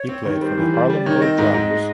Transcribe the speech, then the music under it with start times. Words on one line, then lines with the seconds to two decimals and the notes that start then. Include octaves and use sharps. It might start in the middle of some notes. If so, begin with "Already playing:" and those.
He played for the Harlem Globetrotters.
Already playing: C#5
0.09 C4
0.26 D#3
0.41 G3 C5
0.58 E3
0.74 G3
0.90 G3
0.96 D5
1.06 D#3 C#5
1.21 C4 D#5
1.38 G#2
1.54 G#2
1.70 G#3